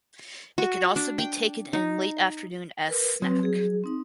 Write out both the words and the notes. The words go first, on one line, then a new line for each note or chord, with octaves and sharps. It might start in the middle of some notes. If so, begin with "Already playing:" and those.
It can also be taken in late afternoon as snack.
F#4
D4
G5
D#4
A#4 B4
F#3 C4 B4
G#4
C4 D#4